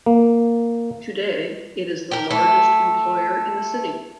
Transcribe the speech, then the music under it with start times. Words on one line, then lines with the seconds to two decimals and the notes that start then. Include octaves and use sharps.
Today, it is the largest employer in the city.
0.06 A#3
2.11 G4 A#4
2.30 A3